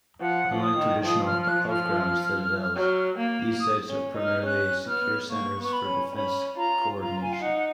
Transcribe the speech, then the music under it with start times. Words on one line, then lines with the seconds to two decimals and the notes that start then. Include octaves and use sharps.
Unlike traditional above-ground citadels, these sites are primarily secure centres for defence co-ordination.
0.20 F3 F#5
0.49 F3
0.63 D#6
0.78 D#3
1.06 F3 D#6
1.27 F6
1.42 F6
1.48 F#6
1.70 F6
2.76 F#3
3.18 A#3
3.60 D#6
3.89 C#4
4.17 D#4
4.24 F6
4.45 C#4 F#6
4.88 B3 F6
5.31 A#3 C#6
5.59 B3 C#6
5.73 B5
5.87 C#4
6.15 C#4 B5
6.58 F4 A#5
7.00 F4 A#5
7.22 G#5
7.33 F5
7.42 D#4 F#5
7.58 F#5